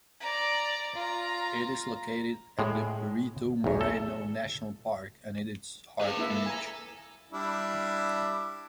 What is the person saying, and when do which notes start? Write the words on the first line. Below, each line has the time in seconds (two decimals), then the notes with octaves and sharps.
It is located at the Perito Moreno National Park, and it is hard to reach.
0.21 D5 A#5
0.95 F4 A#5
2.59 A2 G#3
3.64 B1 E2
3.81 A4
6.01 G#4 B4 F5
6.17 A#3 E4 E5
6.31 A4
6.46 G#5 A#5
7.32 G3 D4 E4